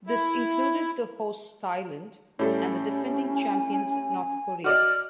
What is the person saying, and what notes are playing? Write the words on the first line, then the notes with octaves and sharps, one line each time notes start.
This included the hosts Thailand and the defending champions North Korea.
E4
A2 G3 C#4 A4
G#5
F#4 D5 D#5 F6